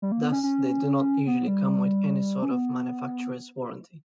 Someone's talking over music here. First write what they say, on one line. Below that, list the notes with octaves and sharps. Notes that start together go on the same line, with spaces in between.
Thus, they do not usually come with any sort of manufacturer's warranty.
G3
A#3
B3
C#4
C#4
B3
G3
C#4
B3